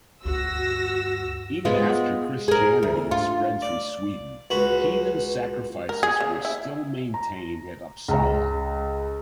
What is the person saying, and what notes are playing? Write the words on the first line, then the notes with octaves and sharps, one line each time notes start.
Even after Christianity had spread through Sweden, heathen sacrifices were still maintained at Uppsala.
D2 G2 F#4 E6 A#6
G#3 B3 F4
G#4 A#4
D2
F4
D5
C#2 F#4 B4
A#4
G#4
C#3
E4
A#5
C#2 A#5